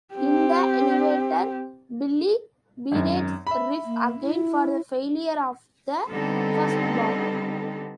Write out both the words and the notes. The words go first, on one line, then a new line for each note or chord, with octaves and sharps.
In the elevator, Billy berates Riff again for the failure of the first bomb.
C4 G4
G#1 F#2
E5 B5
A#3
E4
D3 G3 B3 C4 D#4 A4